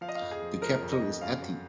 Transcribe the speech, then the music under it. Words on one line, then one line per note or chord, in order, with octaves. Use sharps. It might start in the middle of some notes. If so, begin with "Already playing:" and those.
The capital is Ati.
F3 F5
D#5
F5
F2
G#4
F3
F3 A#4
F2
D#5
F2
F#2 F5
F#3